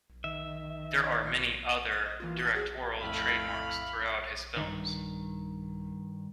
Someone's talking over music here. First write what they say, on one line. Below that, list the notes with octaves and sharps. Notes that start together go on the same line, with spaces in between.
There are many other directorial trademarks throughout his films.
D#3 E5
D#6
D#5
E3 A#3 F4
F#4 A5 D#6
F#4 G#4
F2 A2 A3 F5 B5
G2 D#3